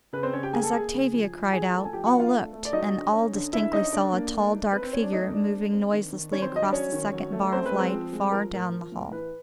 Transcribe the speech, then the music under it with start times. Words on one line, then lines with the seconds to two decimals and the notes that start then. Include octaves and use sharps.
As Octavia cried out, all looked, and all distinctly saw a tall, dark figure moving noiselessly across the second bar of light far down the hall.
0.13 C#3 B4
0.23 C4 C5
0.33 C#3 C#4 C#5
0.43 G4 G5
0.53 A#3 G#4 G#5
0.63 A4 A5
0.73 A#3 G#4 G#5
0.93 C#3
1.13 F3
1.33 F3
1.53 F3 G#4 G#5
1.73 A3 A4 A5
1.85 G#5
1.93 F3 G4 G5
2.06 F#4 F#5
2.13 D4
2.20 F4 F5
2.33 A3
2.53 A3
2.65 D5
2.73 F#3 D#4 D#5
2.93 D3
3.13 C#4
3.33 D3
3.53 D3 E4 E5
3.73 C#4 D#4 D#5
3.93 D3 D4 D5
4.13 A#3
4.32 A3
4.52 D#4
4.73 C4 B4
4.83 C4 C5
4.93 C4 C#4 C#5
5.03 D4 D5
5.12 A3 D#4 D#5
5.32 A3 D4 D5
5.52 C4
5.73 C4
5.93 D#3
6.13 D#3
6.32 D#3 C#4 C#5
6.42 C4 C5
6.52 F#3 D#5
6.62 D4 D5
6.72 F#3 C#4 C#5
6.92 D#3
7.13 F#3
7.32 A3
7.52 C4 C#4 C5
7.66 B4
7.73 G#3
7.79 C4 C5
7.92 F3
8.13 G#3
8.32 F3 A#4
8.52 A2 A#4
8.72 F3
8.92 A2
9.12 E3 B4